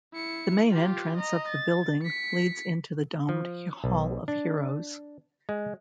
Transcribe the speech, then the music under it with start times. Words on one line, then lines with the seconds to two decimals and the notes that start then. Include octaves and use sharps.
The main entrance of the building leads into the domed Hall of Heroes.
0.13 E4 C#7
0.71 F4 G4
1.17 D#5 A#5
1.49 A6
2.03 B6 C#7
3.29 F3
3.84 B1
4.28 D4
5.49 G#3